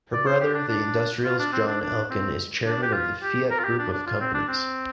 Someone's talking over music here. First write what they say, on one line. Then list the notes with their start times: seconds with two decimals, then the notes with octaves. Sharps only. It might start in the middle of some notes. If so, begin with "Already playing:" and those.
Her brother, the industrialist John Elkann, is Chairman of the Fiat group of companies.
0.13 D5
0.26 C5
0.40 G4
0.55 D4
0.68 D4
1.25 F4
1.39 D4
1.53 C4
1.67 D4
1.81 D4
2.10 C4
2.66 D4
2.82 G4
2.93 F4
3.23 G4
3.51 A#4
3.59 F4
3.64 G4
3.79 D4
3.92 D4
4.06 F4
4.20 C4
4.34 D4
4.48 C4